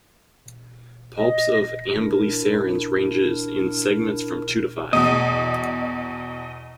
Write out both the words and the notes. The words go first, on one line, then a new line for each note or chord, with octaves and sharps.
Palps of amblycerans ranges in segments from two to five.
D#5
D4 E4 A#4
E2 B2 D#5